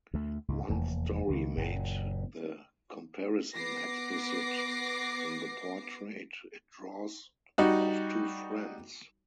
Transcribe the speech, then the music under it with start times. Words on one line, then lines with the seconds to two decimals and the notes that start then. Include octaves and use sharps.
One story made the comparison explicit in the portrait it draws of two friends.
0.14 D2 A3
0.48 C#2 G#2
0.69 F1 E2 A#3
1.27 C#2 D#3
1.57 F#1 F#2 A#2
3.53 B3 D6 A#6 C7
7.58 G3 D#4 F#4